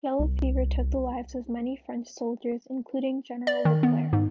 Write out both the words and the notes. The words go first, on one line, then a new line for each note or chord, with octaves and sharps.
Yellow fever took the lives of many of the French soldiers including General Leclerc.
C2
D5
D#3
B3
G#2